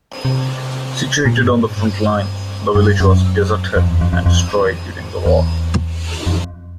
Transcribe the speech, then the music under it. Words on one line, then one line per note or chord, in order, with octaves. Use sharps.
Situated on the frontline, the village was deserted and destroyed during the war.
C3
A#2
G2
G#2
G2
G2
F#2
F2
E2
F2
F2
F2
E2
F2